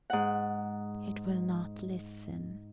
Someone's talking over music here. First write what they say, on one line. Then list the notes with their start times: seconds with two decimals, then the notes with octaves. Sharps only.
"It will not listen!"
0.10 G#2 F#5